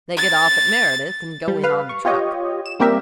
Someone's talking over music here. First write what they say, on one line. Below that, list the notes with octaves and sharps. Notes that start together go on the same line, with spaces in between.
They get off at Meredith and go in on the truck.
A6
G3
B4 F5
C#6
F4 G4 C#5 D#5
E7
G3 A#3 C4 G4 A#4 E5